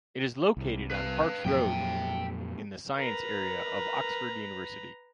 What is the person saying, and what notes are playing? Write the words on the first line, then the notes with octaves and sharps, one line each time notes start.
It is located on Parks Road in the Science Area of Oxford University.
C2
B4 F5
F2 A#2 F#3 E5 G5
A#4 B4 A#5